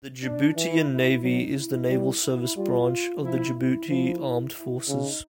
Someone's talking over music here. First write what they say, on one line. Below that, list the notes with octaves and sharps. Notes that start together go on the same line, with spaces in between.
The Djiboutian Navy is the naval service branch of the Djibouti Armed Forces.
D4
E3 E4
E4
F#3 D#4
E4
G3
E4
G3 F4
F3 E4
E4
F3 E4
E4
C#3 D#4